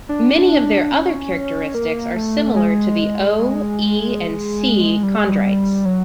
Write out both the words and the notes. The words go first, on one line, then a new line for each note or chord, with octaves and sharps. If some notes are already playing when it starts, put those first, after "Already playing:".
Many of their other characteristics are similar to the O, E and C chondrites.
D4
C#4
A#3
A3
G#3
G#3
G3
G#3
G3
F#3